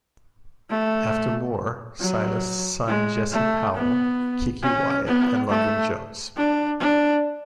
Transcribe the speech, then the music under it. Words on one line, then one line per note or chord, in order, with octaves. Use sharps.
After Moore, Silas signed Jesse Powell, Keke Wyatt, and London Jones.
A3
F#3
G#3
A3
B3
C#4
B3
A3
D4
D4